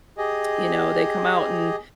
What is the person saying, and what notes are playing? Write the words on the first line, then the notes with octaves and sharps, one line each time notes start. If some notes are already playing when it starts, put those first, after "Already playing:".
you know, they come out and
G4 G#4 D#5